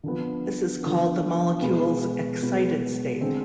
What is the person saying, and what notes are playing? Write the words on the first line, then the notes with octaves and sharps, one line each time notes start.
This is called the molecule's excited state.
D3 F3 B3
D3 F3 B3
B2 G#3 B3
B2 G#3 B3
D3 G#3 C4